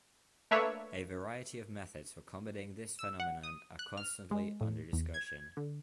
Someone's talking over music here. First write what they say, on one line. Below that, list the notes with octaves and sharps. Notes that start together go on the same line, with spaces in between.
A variety of methods for combating this phenomenon are constantly under discussion.
A3 A#3 D4 B4 C#5 E5
E6
F#5
D#6
F#6
F6
G#3
A2
E2
G#6
D3